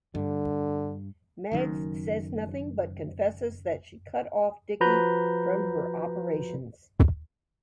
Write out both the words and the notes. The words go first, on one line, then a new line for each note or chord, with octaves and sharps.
Mags says nothing but confesses that she cut off Dickie from her operations.
G2 D3
F#1 F#2 D#3
F3 F#4 B4 A#5 B5 G6